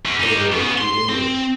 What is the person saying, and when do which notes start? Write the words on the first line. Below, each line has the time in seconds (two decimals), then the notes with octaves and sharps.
"Oh, really--in England?"
0.06 E2
0.20 D#4 G4
0.52 C#3 B3
0.78 C6
1.09 C4